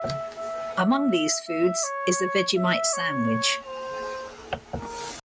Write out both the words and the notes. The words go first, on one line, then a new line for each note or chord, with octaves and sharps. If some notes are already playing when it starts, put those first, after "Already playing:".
Among these foods is a Vegemite sandwich.
Already playing: E5
E5
E5
E5
C#5
E5
C#5
C5
A#4